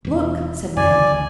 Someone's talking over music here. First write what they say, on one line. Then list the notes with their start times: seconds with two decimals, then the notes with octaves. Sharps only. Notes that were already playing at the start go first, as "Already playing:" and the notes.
"Look!" said my uncle.
0.05 E1 E2
0.77 F#2 C#3 D5 G#5
0.91 F1 D2